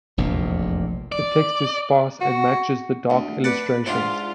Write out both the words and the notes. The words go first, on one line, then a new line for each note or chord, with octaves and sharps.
The text is sparse and matches the dark illustrations.
F1 A#1 E2 A#2
D5
F#4
D2
B4 D5 F#5 A5
G#2 C3 D4 F4